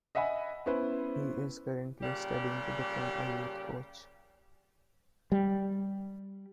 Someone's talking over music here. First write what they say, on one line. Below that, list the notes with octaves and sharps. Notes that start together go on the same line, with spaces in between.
He is currently studying to become a youth coach.
D#5 E5 F#5 G#5 B5
B3 C#4 E4 B4 C5
A#2 C#3 G3 G4
G3